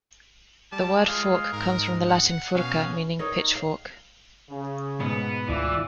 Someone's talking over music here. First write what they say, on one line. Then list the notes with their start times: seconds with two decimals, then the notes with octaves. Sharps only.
The word "fork" comes from the Latin "furca", meaning "pitchfork".
0.72 G3 A5
1.07 G#3 F4 F5
1.53 G#2 A#4
2.08 F#5
2.55 B2 C#4 F5
3.19 D#4 A#4 C#5
3.55 F5
4.51 C#3
5.00 G#2 B2 B3
5.49 D2 E3 E4 F4 D5